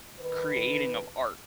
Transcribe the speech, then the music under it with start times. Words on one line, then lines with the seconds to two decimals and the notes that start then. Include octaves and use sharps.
creating of art
0.20 D#3 B4